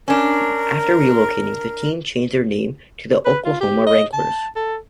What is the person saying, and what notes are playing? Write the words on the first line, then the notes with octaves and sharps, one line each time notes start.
After relocating, the team changed their name to the Oklahoma Wranglers.
C#4 D4 A#4
B4
F4
G4
D#5
A5
A4